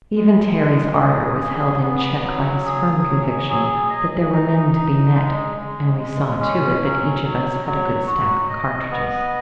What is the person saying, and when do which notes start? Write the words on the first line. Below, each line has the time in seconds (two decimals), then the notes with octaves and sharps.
Even Terry's ardor was held in check by his firm conviction that there were men to be met, and we saw to it that each of us had a good stock of cartridges.
0.16 G#3
0.58 G#3
0.99 G#4
1.40 G#4
1.82 B3
2.24 F#3
2.65 G#4
3.08 F#3
3.49 G#4
3.90 D#5
4.32 D#4
4.74 D#4
5.15 G#3
5.57 G#3
5.99 G#3
6.40 C#4
6.83 F#3
7.24 F#3
7.65 F#3
8.07 F#4
8.49 D#5
8.91 B3